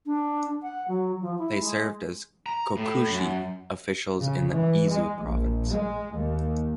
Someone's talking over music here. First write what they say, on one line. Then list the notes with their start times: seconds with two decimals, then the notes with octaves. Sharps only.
They served as "kokushi" officials in the Izu Province.
0.06 D4
0.62 F#5
0.88 F#3
1.21 F3
1.38 E4
1.60 G#3
2.46 A#5
2.77 A2
3.09 F#2
4.19 C#3
4.51 E3
4.89 G#3
5.23 A#1
5.71 G#3
6.13 D#2